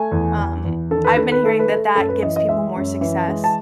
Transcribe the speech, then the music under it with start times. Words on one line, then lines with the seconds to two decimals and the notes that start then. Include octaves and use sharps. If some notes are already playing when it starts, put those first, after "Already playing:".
um, I've been hearing that that gives people more success,
Already playing: A3 G#5
0.11 E2
0.37 E2
0.64 E2
0.91 D#3 A4
1.04 B4
1.17 D#3 A4
1.32 B4
1.43 A3 A4
1.59 B4
1.69 A3
1.74 A4
1.95 F#2 A4
2.09 B4
2.23 E3 D#5
2.36 D#5
2.49 G#3 E5
2.76 F#2
3.01 E3
3.28 G#3
3.44 A5